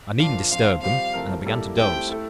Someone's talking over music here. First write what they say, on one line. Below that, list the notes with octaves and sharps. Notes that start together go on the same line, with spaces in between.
I needn't disturb them; and I began to doze.
A#2 F3 A#3 D4 F4 F5
F3 C4 F4 F5
G3 C4 F4 F5
C3 F3 A3 E4 A#4
G3 A#3 E4 A4
A3 C4 E4 G4 G5
A3 E4 A4